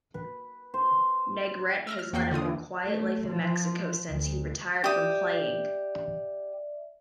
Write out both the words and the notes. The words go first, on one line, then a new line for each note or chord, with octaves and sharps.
Negrete has led a more quiet life in Mexico since he retired from playing.
B4
C5
E6 F6 A#6
F6
E2 A#3 F#4 G5 G6 C7
D3 D#3 F4 D#6
D#2
A3
F3
D2
G4 D5 E5 D#6